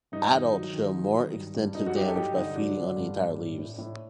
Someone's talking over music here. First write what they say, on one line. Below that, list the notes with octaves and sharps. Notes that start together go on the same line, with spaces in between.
Adult show more extensive damage by feeding on the entire leaves.
G2 D#4
D#3
F#3
D#3
F#3
D#3
G2
G2
F#3 D#4
F#4
F#3 D#4 G4
A4
G2 D#4 G4
D3 D#4
F#3 D4
D3
G2
G2
A2
A2
A2